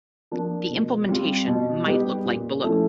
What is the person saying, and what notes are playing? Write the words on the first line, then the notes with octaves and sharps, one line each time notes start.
The implementation might look like below.
F3 A#3 D4
B2
G3 C4 F4
B2
G3 B3 D#4 G4
A#2
F3 A3 C#4 E4